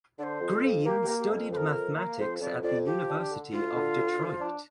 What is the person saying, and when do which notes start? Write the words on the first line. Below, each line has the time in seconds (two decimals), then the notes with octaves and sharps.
Green studied mathematics at the University of Detroit.
0.19 D3 C5 D5
0.40 F2
0.63 F2
0.85 A#3 G4
1.03 G4
1.08 A#3
1.19 G4
1.29 F2
1.35 A#4
1.52 F2 C5
1.57 A#4
1.74 F2
1.96 A#3
2.18 F2 C5
2.40 F2 D5
2.63 F2 D5
2.85 F3 G4
3.08 D4
3.30 D3
3.51 D2 F4
3.74 D3
3.96 D2
4.18 F3
4.40 D4